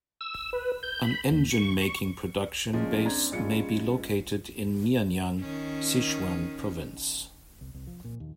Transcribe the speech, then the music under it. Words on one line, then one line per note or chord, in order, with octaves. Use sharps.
An engine-making production base may be located in Mianyang, Sichuan province.
E6
B4
G6
B5
D#2
C#6
C#6
A#2 F3 G#3 C#4
C4 D4 A#5 G#6
A#1 G3 G#3 C#4 F4 C#7
D#3 C#4
C2
C2
F3
A#2
D#2